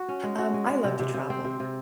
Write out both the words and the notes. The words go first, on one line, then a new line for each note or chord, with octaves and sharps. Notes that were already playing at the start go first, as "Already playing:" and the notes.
Um, I love to travel.
Already playing: F#4
C#4
G#3
F#4
G#3
G#3
C3
C3
C3
C4
C3
C3